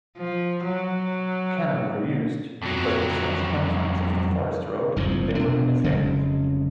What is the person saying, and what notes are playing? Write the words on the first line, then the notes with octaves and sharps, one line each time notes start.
Cannon were used, but in such confines of the forest road, they were ineffective.
F3
F#3
F2 F#3
F#1 C2 G#2 F3
B2 D4
F1 C#3 F#3 G#3